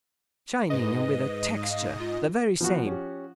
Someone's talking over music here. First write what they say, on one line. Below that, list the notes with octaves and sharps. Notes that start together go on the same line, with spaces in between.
Shining and with a texture--the very same.
G#2 B4 D#5
F5
F4
F3 B3 F#4
C#4 G4